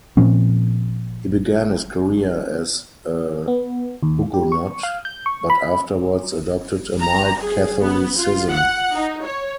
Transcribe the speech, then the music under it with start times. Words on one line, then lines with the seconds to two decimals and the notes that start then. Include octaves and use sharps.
He began his career as a Huguenot, but afterwards adopted a mild Catholicism.
0.17 A#2 F3 C4 C#4
3.48 B3
4.03 D#2
4.34 G4
4.52 C#6
4.83 F5
5.05 G6
5.26 C#6
5.50 B5
7.00 A#5
7.41 G#4
7.82 B3
8.18 F4
8.51 F#5
8.94 D#4
9.24 C#5